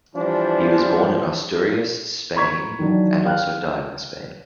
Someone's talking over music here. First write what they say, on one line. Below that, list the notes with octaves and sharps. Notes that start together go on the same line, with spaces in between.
He was born in Asturias, Spain and also died in Spain.
E3 F3 G3 D4
A#5 B5 C#6 G#6 B6
D#3 E3 F#3 D4
F5 G5 F6 F#6